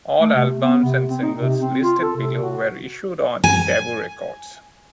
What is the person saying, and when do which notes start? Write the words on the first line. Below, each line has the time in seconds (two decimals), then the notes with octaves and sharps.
All albums and singles listed below were issued on Tabu Records.
0.20 A3
0.35 C3
0.60 B3
0.84 C3
1.09 C4
1.22 D#4
1.39 C3
1.60 C4
1.82 F4
2.02 A4
2.16 C3
2.42 F#4
3.44 G#5